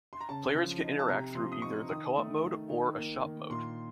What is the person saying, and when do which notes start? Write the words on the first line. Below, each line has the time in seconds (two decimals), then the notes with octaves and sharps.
Players can interact through either the Co-op mode or a Shop mode.
0.13 C6
0.21 A#5
0.29 C#3 A5
0.55 F3
0.82 D#4
0.99 A5
1.08 C3 A#5
1.35 F3 C6
1.52 D#6
1.62 D#4 C#6
1.89 D#3 D#6
2.17 A3
2.42 D#3
2.69 D#3
2.97 A#3
3.24 D#3
3.50 A#2 C6